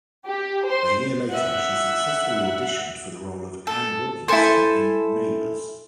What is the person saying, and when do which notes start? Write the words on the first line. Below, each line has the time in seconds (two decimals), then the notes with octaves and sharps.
A year later she successfully auditioned for the role of Anne Wilkinson in "Neighbours".
0.24 G4
0.65 C5 C6
1.30 E5 F#5
3.67 A4
4.28 E4 A4 C5 G#5 A5 C6